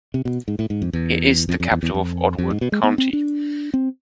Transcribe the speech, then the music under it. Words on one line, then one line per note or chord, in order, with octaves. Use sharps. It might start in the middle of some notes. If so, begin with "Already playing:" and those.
It is the capital of Otwock County.
C3
B2
G#2
A2
G#2
F2
E2
F2
F2
E2
E2
F2
F2
G#2
B2
G#3
B3
C4
D4
C4